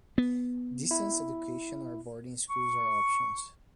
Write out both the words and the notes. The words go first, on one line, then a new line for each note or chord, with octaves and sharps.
Distance education or boarding schools are options.
B3
E4
C#6